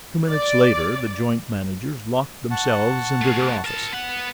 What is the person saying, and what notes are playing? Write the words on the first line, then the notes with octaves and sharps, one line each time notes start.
Two minutes later, the joint managers locked themselves into their office.
D5
F#5 A5 C#6
A3 G#4
A#4 A5
B3 F#5